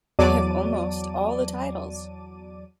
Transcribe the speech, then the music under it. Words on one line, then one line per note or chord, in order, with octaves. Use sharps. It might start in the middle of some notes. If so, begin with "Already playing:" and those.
I have almost all the titles.
E2 F#3 D5 A5 D6 D#7